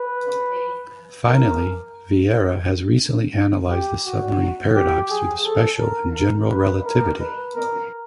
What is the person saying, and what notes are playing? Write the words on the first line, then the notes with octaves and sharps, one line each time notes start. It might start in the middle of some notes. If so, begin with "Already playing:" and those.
Finally, Vieira has recently analyzed the submarine paradox through the special and general relativity.
Already playing: B4
A#4
G4
F#4
G4
G#4
A4
A#4
A#4
B4
A#4
B4
A#4